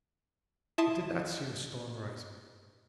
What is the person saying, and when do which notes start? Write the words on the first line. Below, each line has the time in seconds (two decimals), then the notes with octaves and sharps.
They did not see the storm rising.
0.78 E4 E5 A5 C6 D#6